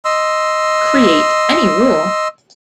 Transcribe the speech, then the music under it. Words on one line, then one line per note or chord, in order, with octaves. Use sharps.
Create any rule.
D#5 C6 E6